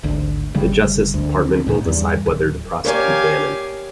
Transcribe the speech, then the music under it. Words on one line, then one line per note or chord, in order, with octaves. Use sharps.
The Justice Department will decide whether to prosecute Bannon.
G#1 D2
G1 C#3 G3
D2
C#2 A2 D3 D#3
E2 G2
D1
G4 A#4 C#5 D5 F5 G#5